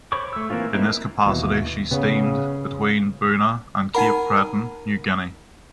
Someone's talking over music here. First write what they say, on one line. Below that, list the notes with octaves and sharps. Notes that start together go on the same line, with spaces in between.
In this capacity, she steamed between Buna, and Cape Cretin, New Guinea.
C5 C#5 B5 C#6 D6
A3 E6
E3 A#3 C4 C#4 F4
E3 A#3 C4 D#4 E4
D#2 B2 E3
C#3 B3
D#4 A#4 F#5 G#5 B5